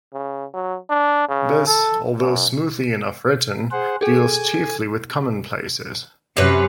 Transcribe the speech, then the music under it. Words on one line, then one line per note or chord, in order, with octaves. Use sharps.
This, although smoothly enough written, deals chiefly with commonplaces.
C#3
F#3
D4
C#3
A4
F#2
G#4 C5 F#5
G#4 A4 G#5
F#2 C3 C#4 B4